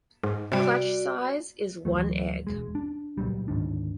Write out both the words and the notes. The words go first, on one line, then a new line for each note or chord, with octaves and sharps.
Clutch size is one egg.
G#2
C3 G3 F#4 D5
D1 E3 F#3 A3
E1 G#3
D4
C#2 A#2 F#3 G3
D1 G#2 D#3 D4